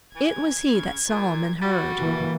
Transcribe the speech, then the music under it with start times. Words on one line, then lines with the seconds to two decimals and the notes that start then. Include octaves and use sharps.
It was he that Solomon heard.
0.15 E3 G#6
0.73 C#3
1.09 A#2
1.61 G3 F#4
2.00 E3 A#3